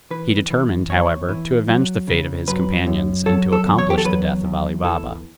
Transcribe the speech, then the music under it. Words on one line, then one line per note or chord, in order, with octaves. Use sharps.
He determined, however, to avenge the fate of his companions, and to accomplish the death of Ali Baba.
E3 B4
E3
E2 C#5
E3
F#3
C#3
F#2 B4
F#2
F#3 A4
A4
E2
C#5
G4
A4
F#3 B4
E2
E3 A4